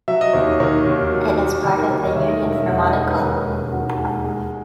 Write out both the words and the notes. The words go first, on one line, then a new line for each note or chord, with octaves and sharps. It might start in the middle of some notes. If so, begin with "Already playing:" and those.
It is part of the Union for Monaco.
F#3 E5
D#5
D#2 C#5
D#3 C#5
D#2
F#3
D#2
D#3
A#4
D#2 C#5
D#5
D#3 E5
D#5
E1 C#5
E5
D#2 F#5
D#5
G#3 C#5
B4
D#3 A#4
E1
D#2 F#4
G#3
G#3